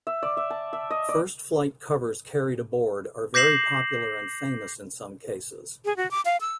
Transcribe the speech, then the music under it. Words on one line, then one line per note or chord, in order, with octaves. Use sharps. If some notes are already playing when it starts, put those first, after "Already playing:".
First flight covers carried aboard are very popular and famous in some cases.
E5
D5
E5
A5
E5
D#5
D5
D6 G6 A#6 C7 E7 F#7
G#4
F#4
D6
F5
E6